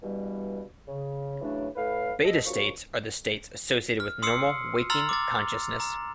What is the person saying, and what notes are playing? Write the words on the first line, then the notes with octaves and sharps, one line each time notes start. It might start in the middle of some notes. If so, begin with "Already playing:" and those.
Beta states are the states associated with normal waking consciousness.
G2 B2 E3 G3
C#3
C#3 E3 F#3 A3 D4
A2 B4 F5
A4 D#5
D#2 C#3 F3 F4 F#4 C#6
F6
C6 D#6 E6 C7 C#7
A#5 C6 E6 F6 A6 F7
D6 A6
A#5